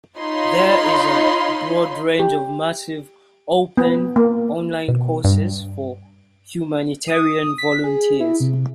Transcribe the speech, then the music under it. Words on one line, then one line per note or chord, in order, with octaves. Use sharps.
There is a broad range of massive open online courses for humanitarian volunteers.
D#4 F4 C#5 B5 C6
G4
B3
A#3
B2
G2
D#6
B6
G#4
E4
C3